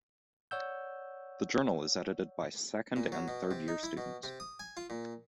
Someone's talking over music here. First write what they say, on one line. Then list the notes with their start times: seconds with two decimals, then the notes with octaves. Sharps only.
The journal is edited by second and third-year students.
0.51 C#5 D5 F#5 E6 G6
2.96 A#2
3.12 F#3
3.28 B2
3.51 C3
3.68 D#4
3.83 E4
3.97 B2
4.23 C3
4.40 D#6
4.59 G#5
4.77 F4
4.90 A#2